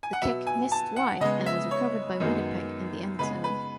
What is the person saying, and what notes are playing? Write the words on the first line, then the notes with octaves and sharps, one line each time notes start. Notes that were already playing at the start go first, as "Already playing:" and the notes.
The kick missed wide, and was recovered by Winnipeg in the end zone.
G#5
F#5
B2 F#3 B3 E5
G#5
A5
F#5
C#3 G#3 B3 D#5
E5
C#5
F#2 D#3 G#3 B3
C#3 G#3 B3 B4
B4